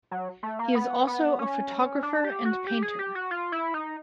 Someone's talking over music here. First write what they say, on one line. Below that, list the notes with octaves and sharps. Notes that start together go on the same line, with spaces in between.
He is also a photographer and painter.
F#3
A3
A#3
B3
B3
C#4
D4
G4
F#4
G4
G#4
G4
F#4
F4
E4
D#4